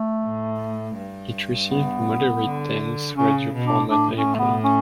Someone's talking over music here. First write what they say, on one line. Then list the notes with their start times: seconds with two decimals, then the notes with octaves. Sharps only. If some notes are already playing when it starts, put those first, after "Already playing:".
It received moderate dance radio format airplay.
Already playing: A3
0.24 A2
0.97 G2
1.70 B3
2.44 D3
3.17 C#3 C#4
3.54 B2
3.66 D4
3.90 A2 D4
4.15 C#4
4.35 A3
4.39 B3
4.64 C#4